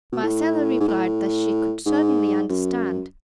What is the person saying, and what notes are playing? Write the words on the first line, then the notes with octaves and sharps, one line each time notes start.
Marcella replied that she could certainly understand.
B2
A2
G#2
A2
G#2
F#2